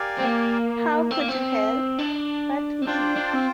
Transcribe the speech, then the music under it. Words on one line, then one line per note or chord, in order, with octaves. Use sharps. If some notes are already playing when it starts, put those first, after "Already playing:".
How could you help but be?
Already playing: G4 A#4 D5 F5 G#5
C4
A#3
C4
A#3
C4
D4
C4
D4 F4 C5 G5
D4
C4